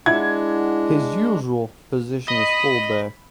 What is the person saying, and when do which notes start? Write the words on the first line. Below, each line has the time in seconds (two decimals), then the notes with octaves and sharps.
His usual position is full back.
0.06 G#3 D4 E4 F#5 G#6
2.28 D#5 B5